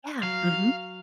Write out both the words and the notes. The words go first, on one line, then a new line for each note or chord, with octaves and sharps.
Yeah. Mhm.
F#3 F5